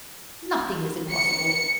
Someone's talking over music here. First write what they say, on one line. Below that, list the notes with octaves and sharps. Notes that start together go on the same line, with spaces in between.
Nothing is impossible.
C#7